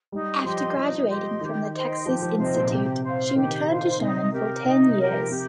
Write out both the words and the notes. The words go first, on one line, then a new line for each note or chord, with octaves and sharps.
After graduating from the Texas Institute, she returned to Sherman for ten years.
G3 D#4
F3 G4 D#5 C6
F3 D#4
G4 D#5 C6
D#3 G4
C5 D#5 G5
F3 G4
F3
C3 C5 D#5 G5
A#2
C3 G4
C5 F5
D#3 G4
C5 F5
C3 D#4
G4 A#4
C3 D#4
C3
G4 A#4
F3
C3 G4